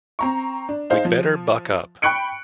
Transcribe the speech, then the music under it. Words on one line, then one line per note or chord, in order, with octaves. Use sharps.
We’d better buck up.
C4 A#5 C#6
D4
D#4 G#4 C5 F5
F3
G5 B5 C#6 F#6 C#7 D7